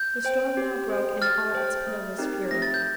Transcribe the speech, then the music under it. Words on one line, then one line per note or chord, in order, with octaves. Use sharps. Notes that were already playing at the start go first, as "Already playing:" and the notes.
The storm now broke in all its pitiless fury.
Already playing: G6
C5 G5
G4
C5 G5
G4 F6 A6
C5 G5
A3
C4 D#4 G4 A#4
A3 A#6
A6
G6